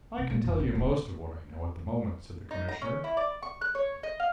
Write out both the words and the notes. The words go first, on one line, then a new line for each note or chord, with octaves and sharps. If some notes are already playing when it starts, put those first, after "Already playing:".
"I can tell you most of what I know at the moment," said the Commissioner.
C3
A#2
F1
A1
D1
D#4
A#5
C#4
E4
D5
C#6
F#6
C#5
D#5
F5